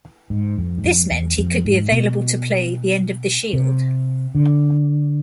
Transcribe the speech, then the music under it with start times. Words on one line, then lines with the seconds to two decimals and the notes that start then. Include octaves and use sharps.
This meant he could be available to play the end of the Shield.
0.30 G#2
0.58 F2
0.78 G#2
0.84 F2
1.11 E2
1.38 F2
1.65 G#2
1.92 B2
3.53 C3
4.35 D3